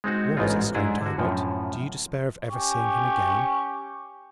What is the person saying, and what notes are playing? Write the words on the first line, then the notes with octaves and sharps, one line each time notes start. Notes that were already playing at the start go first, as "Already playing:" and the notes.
"Was!" exclaimed Herbert, "do you despair of ever seeing him again?"
G#3 C4 D#4 F#4
A1 G#2 G#3 B3 C4 F4
G#2 D4 E4 G#4
D3 F#4
F#2 A2 F3
C#4 G4 C#6